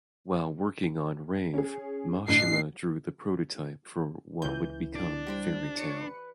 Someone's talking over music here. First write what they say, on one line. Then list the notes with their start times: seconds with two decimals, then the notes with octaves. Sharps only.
While working on "Rave", Mashima drew the prototype for what would become "Fairy Tail".
1.54 C#4 G#4
2.28 A1 D3 F#6 C7
4.42 C#2 E3 G6
4.95 D4
5.27 G3 G4 C5 B5
5.77 C#5 D5 C#7
6.01 B4